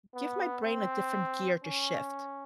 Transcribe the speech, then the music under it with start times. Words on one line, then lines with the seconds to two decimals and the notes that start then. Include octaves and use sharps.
give my brain a different gear to shift.
0.15 B3
0.64 C4
1.64 C#4